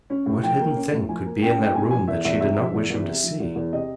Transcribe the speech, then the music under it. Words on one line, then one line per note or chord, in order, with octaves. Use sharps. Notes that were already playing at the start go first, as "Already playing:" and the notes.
What hidden thing could be in that room that she did not wish him to see?
C#4
A2
F3 G5
A#3
C#4
A2
F3 G#5
A#3
C#4 G5
A2 G5
C3 G#5
F3 G#5
E2 E5
E2 E5
C3 E5
F3
E2
E2
C3
F3
E2
E2
C3 D#5